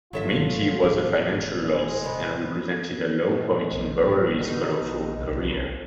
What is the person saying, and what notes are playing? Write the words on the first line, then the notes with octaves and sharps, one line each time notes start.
Minty was a financial loss and represented a low point in Bowery's colourful career.
G#1 G2 F#3 F4 A4 E5
D#1 A2 D4 G#4
G#3
C3 B3
A#2 G#3 A3
F1 B1
A2 G3
B2 D3 D#4
A#1
C2 G2